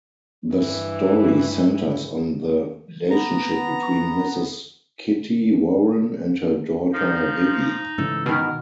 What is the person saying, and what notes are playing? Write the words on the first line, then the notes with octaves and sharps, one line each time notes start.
The story centres on the relationship between Mrs Kitty Warren and her daughter, Vivie.
G2 E3
B3 A#5
F3 D#4
G#2 C#3 E3 A4
B2 D#3 A#4